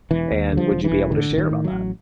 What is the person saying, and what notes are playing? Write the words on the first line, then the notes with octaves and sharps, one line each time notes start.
And would you be able to share about that?
E1 E3
D#2
D3
F3
E1
E3
E1
A2 D3
A1
D#3
A2
F#3
A1